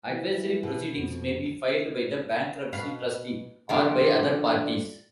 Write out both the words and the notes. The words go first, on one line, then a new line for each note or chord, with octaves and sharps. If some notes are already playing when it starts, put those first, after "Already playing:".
Adversary proceedings may be filed by the bankruptcy trustee or by other parties.
E3
B2 B3
F2
B2 B4 F5
D3 D#3 F3